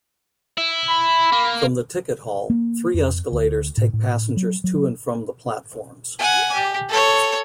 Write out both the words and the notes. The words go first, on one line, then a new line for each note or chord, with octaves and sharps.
From the ticket hall, three escalators take passengers to and from the platforms.
E4
B5
A#3
A#3
F2
D2
A2
A2
F#3
F#3
F#5 G#5
G4
A4 C#5